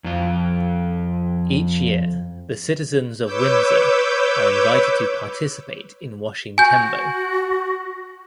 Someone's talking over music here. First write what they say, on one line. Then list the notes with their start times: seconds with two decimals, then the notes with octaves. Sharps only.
Each year, the citizens of Windsor are invited to participate in washing "Tembo".
0.04 F2 F4
3.22 B4 C#5 D6 E6 G6
6.58 F#4 G#5 G6